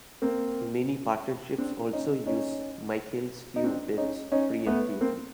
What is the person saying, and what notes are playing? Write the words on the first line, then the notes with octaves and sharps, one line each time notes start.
Many partnerships also use Michaels Cue Bids preemptively.
A#3 C4
C4 D4
C#4 D#4
C#4 D#4
D#4
C4 D4
C#4 D#4
C#4 D#4
A3 B3
A#3 C4